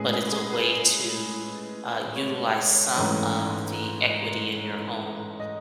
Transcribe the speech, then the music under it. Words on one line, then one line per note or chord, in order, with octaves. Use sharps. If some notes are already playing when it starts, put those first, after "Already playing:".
but it's a way to, uh, utilize some of the equity in your home
Already playing: A2 G#3 C#4 G#4 B4
G#4
G#4
B4
C#5
G#2 E3 A3 C#4
D#5